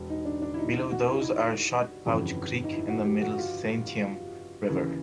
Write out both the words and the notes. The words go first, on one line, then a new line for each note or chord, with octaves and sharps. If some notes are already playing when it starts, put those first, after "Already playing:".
Below those are Shot Pouch Creek and the Middle Santiam River.
Already playing: E1
D#4
D4
D4
E4
D#4
F#4
E4
D#4
E4
G1 F2 C#3 E3
D#4
E4
F#4
G4
F#4
F#4
F4
D#2 C#3 E3